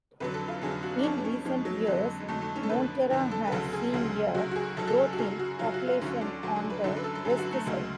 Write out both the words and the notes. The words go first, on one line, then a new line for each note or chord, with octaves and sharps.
In recent years, Monteria has seen a growth in population on the west side.
F2 D3 F#3 B4
A4
F4
F2 D3 F#3 G#4
F#4
D4
F2 F3 C#4
B3
C#4
F2 F3 G#3
F#3
F2 D3 F#3 G#3
G#3
F2 D3 F#3 A3
A3
C#4
A4
F2 D3 F3 B4
F2 D3 F3
A4
B4
D2 C#3 F#3 A4
G#4
D2 C#3 F#3
C#2 C#3 F#3 F#4
F#4
G#4
C#2 C#3 F#3 A4
A4
G#4
F#4
F#2 C#3 F#3 G#4
F#4
F#2 C#3 F#3 F4
F#4
F4
D2 D3 F#3 C#4
D4
D2 D3 F#3
G#4
B4
F#2 D3 F#3 A4
B4
A4
A4
F#2 D3 F#3 G#4
F#4
A3
D2 C#3 F#3 G#3